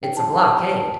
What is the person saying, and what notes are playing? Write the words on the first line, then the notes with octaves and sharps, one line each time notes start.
"It's a blockade."
E4 G4 C5 G5
A5
A5
A5